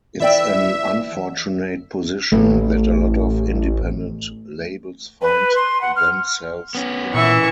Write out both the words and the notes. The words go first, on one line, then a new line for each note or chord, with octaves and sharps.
It's an unfortunate position that a lot of independent labels find themselves in.
E3 D5 E5 G5
A1 A3
B4
C6
F#5
F6
B3 C#4
A#2 E3 E5 C#6